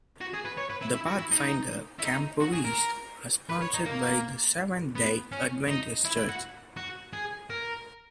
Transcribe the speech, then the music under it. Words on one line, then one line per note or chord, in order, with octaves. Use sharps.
The Pathfinder camporees are sponsored by the Seventh-day Adventist Church.
F#4
G#4
B4
C#5
B4
E4
E4
F#4
E4
D#4
E4
D#4
F#4
G#4
A#4
B4
C#5
D#4
A#3
B3
C#4
D#4
E4
E4
F#4
F#4
G#4
A#4